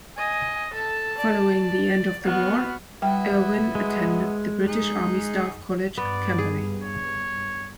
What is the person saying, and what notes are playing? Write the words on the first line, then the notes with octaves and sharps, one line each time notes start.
Following the end of the war, Irwin attended the British Army Staff College, Camberley.
D#5 G#5
A4 A5
D5
B3 F#4 F6
G3 B3 E4 F#4 G5
G#3
D#4 G#4
G2 B3 D5
G#4
C#5